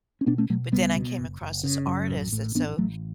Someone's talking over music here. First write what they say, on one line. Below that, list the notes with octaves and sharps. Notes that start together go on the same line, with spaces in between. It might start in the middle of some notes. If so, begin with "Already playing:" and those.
But then I came across this artist, and so
C#4
B2 B3 D4
A3 C#4
B2 F#3 A3
C#2 G3 B3
B2
F#1
F#1
C#3
F#2
A1
A2
A1 B3 D4
A1 F#3 A3